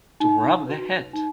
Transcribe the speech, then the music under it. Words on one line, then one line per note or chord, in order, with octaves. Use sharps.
To wrap the head.
D#4
F#4 B4
D#4